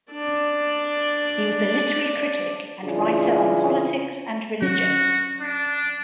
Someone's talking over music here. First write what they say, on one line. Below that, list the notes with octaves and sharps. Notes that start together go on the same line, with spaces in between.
He was a literary critic and writer on politics and religion.
D4 D5
C#3 E3 C#4 D4 F4 G#4
F#3 C#4 F#4
D4